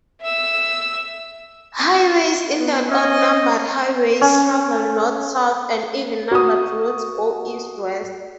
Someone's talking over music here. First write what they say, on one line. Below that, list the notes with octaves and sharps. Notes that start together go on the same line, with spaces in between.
Highways in that odd numbered highways travel north-south and even numbered routes go east-west.
E5 E6
B3
C#4 D#5
C#4
F#4 D#6